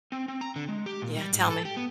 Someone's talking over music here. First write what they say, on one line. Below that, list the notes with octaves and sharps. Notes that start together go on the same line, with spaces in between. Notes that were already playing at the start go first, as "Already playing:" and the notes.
Yeah, tell me.
C4
C4
A#5
D3
G#3
G4
A#2
G3
G#2
A4
G4
B3